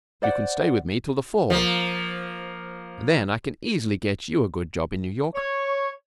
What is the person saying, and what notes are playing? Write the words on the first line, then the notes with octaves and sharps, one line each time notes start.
You can stay with me till the fall, and then I can easily get you a good job in New York.
C5 D5 F#5
F3 A#3
C#5